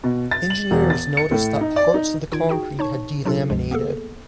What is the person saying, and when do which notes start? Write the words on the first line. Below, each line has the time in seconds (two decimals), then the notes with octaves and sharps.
Engineers noticed that parts of the concrete had delaminated.
0.04 B2
0.31 A6
0.50 F#7
0.71 E1
0.90 A6
1.17 C#7
1.31 A2
1.61 D#4
1.76 D5
1.94 D#4
2.32 D#3 D#4 F4 G#6 D7
2.49 D#4 F#4 G#4 G5
2.79 D#4 C#5 A5 C#6
3.25 B2 F#3 D4 F4 A4
3.50 C#2 G2 F3 G#3
3.71 A#3 B3 G#4 A4